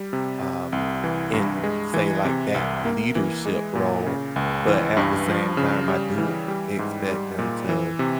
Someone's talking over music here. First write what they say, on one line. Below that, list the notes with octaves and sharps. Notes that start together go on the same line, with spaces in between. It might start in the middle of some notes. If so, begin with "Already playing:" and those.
um, in, say like, that leadership role, but at the same time, I do expect them to,
Already playing: G3
C3
C3
C2
E3
G2
G#3
E3
C3
C2
A#3
E3
G#3
A#2
C#3
C#2
E3
G2
F3
C#3
G3
E3
G3
G#2
G3
A#2
E3
C3